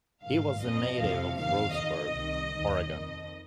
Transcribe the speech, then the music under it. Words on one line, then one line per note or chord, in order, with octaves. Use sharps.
He was a native of Roseburg, Oregon.
G#2 D#3 F5
F2 F3 D#5
F2 C3 F3 F5
F2 C3 D#3 F5
F2 D#5
D#3
C2 C3 D#3
D#2 D#3
F2 D#3 D#5